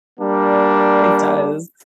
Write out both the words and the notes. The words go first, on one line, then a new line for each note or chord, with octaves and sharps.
It does.
G3 A#3 D4